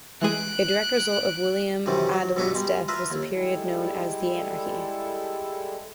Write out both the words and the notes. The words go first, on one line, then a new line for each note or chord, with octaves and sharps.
A direct result of William Adelin's death was the period known as the Anarchy.
E3 G#3 G#4 F#6 D7
F#2 C3 D#3 E3 G3
F#3
G2 B2 A3 B3 D4 D#4
G3 G#3
F4 B4 E5 F5 A#5
D#2
G3 G#3 E4 A4